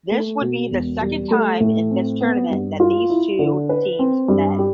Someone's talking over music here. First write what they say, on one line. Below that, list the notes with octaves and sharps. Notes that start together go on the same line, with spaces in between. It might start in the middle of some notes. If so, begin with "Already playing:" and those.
This would be the second time in this tournament that these two teams met.
A3
B2
E1
G3
A3
A2
C4
B3
G2
F4
E4
D3
B4
C4
G2
G4